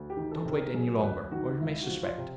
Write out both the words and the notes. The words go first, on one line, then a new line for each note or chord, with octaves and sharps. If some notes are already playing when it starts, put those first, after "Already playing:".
Don't wait any longer or he may suspect.
Already playing: D2
G4
D#3
A4
C3
A#4
F#3 G#4
D2 B4
D#3 F#4
C#2 E4
F#4
F3
F4
C3